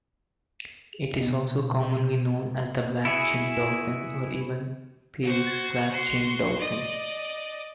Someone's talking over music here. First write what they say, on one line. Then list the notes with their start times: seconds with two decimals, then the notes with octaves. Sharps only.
It is also commonly known as the black-chinned dolphin or even Peale's black-chinned dolphin.
1.21 B2
3.05 E4 F#4 G#4
5.23 F#4 C5
5.88 F#4 C6
6.59 D5 D#5